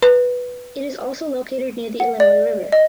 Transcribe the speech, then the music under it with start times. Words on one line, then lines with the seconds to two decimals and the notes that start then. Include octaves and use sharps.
It is also located near the Illinois River.
0.02 B4
2.00 F#5
2.20 D5
2.72 D#5